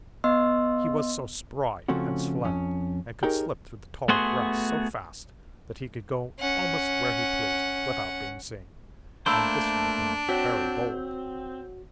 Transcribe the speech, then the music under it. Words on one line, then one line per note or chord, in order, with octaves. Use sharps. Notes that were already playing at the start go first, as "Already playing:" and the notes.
He was so spry and slim, and could slip through the tall grass so fast, that he could go almost where he pleased without being seen, and this made him very bold.
B3 D#5 C6 E6
C#3 F3 A3 C4 C#4 F#4
F2 C#4
D#4 G4 G#4 A#4 C#5 G5
A3 B3 F#4 G#4 C6
C#4 F#5
A3 A#3 D4 C5 A5 B5 E6
C4 F#4 C#5 F#5